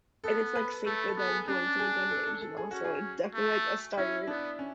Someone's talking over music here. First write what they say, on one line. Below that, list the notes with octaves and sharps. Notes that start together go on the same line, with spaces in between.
and it's, like, safer than going to a gun range, you know? So definitely, like, a starter
B3 A4
B4
A3 A4
A4
B3
G#4
C#4 D4
G#4
A4
A4
A4
G#4
C#4 F#4
G#4
A3
C#4 E4
B3 D4
C#4